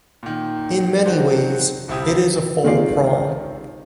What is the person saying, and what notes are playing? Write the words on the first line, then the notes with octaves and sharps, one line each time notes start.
In many ways, it is a fall prom.
A#2 D#3
D#3 F3 F#3 F#4 C5
D1 C2 C3 E4 G4 D#6
C3 D#3 G#3 F4 D5 C7